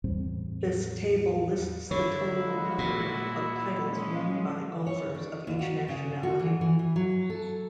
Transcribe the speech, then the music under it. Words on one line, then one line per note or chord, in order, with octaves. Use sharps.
This table lists the total number of titles won by golfers of each nationality.
E2 A2 G3 C4
D3 E4 C#5
G#3 F#4
A#2 E4
F3 G#3 C#4
C#5
D4
D#2
F#4
C#3
F#4
E3
E3
E3
F#3
A4